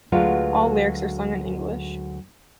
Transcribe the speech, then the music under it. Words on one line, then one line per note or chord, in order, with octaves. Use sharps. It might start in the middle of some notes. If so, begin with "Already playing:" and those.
All lyrics are sung in English.
D2 F#3 G#3 F4 B4 D5